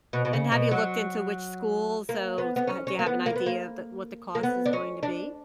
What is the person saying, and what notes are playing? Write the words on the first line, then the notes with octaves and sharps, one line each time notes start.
And have you looked into which schools? So, s uh, do you have an idea of th what the cost is going to be?
B2
B2
C#3
B2
F#3
A#3
B3
B3
C#4
C#4
A#3
B3
A#3
B3
A#3
A#3
B3
D4
C#4
D4